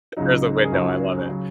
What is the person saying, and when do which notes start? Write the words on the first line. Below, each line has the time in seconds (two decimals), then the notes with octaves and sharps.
There's a window, I love it.
0.17 C#2 C#3 F#3 D#4
0.56 A#4
0.64 G#4
0.72 C#2 C#3 F#3 F#4
1.29 C#3 F#3